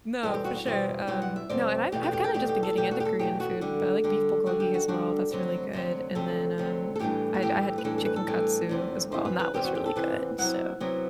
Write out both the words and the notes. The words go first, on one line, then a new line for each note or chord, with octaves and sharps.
No, for sure, um No, and I've I've kinda just been getting into Korean food, but I like beef 불고기 as well, that's really good, and then, um, I'd I had c chicken katsu as well, and that was really good, so,
E2 B2 G3 C4 A4
G4
F#4
F#4
E2 B2 G3 C4
E2 B2 G3 C4 G4
F#5
E5
E2 B2 G3 C4 D5
E2 B2 A3 G4
G4
G4
G4
E2 B2 A3 G4
G4
A4
E2 B2 A3 G4
F#4
G4
A4
E2 B2 A3 G4
F#4
D3 G3 D4
D3 G3 D4
D3 G3 D4 F#4
G4
F#4
D3 G3 D4 F#4
D2 C3 F#3
D2 C3 F#3
D2 C3 F#3 A4
D2 C3 F#3
A4
A2 E3 G3 D4 G4
F#4
A2 E3 G3 D4 G4
B4
A2 E3 G3 D4 A4
A4
B4
A4
A2 E3 G3 D4
E2 C3 E3
E2 C3 E3 C5
B4
B4
E2 C3 E3 G4
F#4
G4
A4
E2 C3 E3 B4
C3 F#3 B3 E4 F#5
C3 F#3 B3 E4